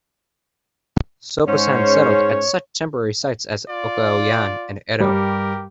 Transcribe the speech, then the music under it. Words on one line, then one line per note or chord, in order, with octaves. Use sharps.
Soposan settled at such temporary sites as Oke-Oyan and Aro.
G#2 C#4 C5 C#5
F4 D5
G2 G3 G4 A#4